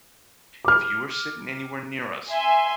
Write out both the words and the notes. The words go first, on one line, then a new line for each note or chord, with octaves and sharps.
if you were sitting anywhere near us
D6 F6
E5 G#5 C6